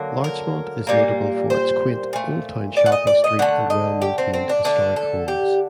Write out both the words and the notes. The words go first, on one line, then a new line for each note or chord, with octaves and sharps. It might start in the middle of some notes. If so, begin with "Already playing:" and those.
Larchmont is notable for its quaint old-town shopping street and well-maintained historic homes.
Already playing: D3 F#3 A#3
A#4
A#2 G3 A#3
C5
A#2 A3
D5
F#5
D#5
D5
D#5
D3 A3 F#5
D#5
G4
C4
C4
D4
D3 A3 D4
A4
G4